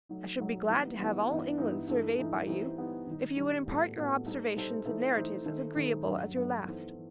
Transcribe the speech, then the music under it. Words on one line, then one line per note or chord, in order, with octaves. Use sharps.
I should be glad to have all England surveyed by you, if you would impart your observations in narratives as agreeable as your last.
F#3 A3 D#4
F#3 A3 D#4
E3 G3 B3 D#4
E3 G3 B3 D#4
G2 E3 B3 D#4
G2 E3 B3 D#4
G2 E3 A3 D#4 A4
G2 E3 A3 D#4 A4
E3 B3 D#4 G4 C5
E3 B3 D#4 G4 C5
D#3 G3 D#4
D#3 G3 D#4
A2 G3 B3 F#4 A4
A2 G3 B3 F#4 A4
G3 D#4 A4 C5
G3 D#4 A4 C5
E3 A3 D#4 A4 C5
E3 A3 D#4 A4 C5
D#3 A3 D#4 A4 C5
D#3 A3 D#4 A4 C5
G2 F#3 A3
G2 F#3 A3
E3 B3 D#4 A4 C5
E3